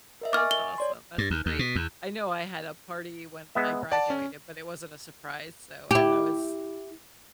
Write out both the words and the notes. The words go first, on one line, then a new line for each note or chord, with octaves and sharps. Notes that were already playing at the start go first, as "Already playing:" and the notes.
That's awesome, that's great. I know I had a party when I graduated, but it wasn't a surprise so and I was,
A#4 D#5 E5
G#5 C#6 D6 F6 A6
G7
C#5 D5 C6
G2
D#2
D#2
B2
E2
G#3 B3 E5
D5 F#5 A5
C#4
E4 G4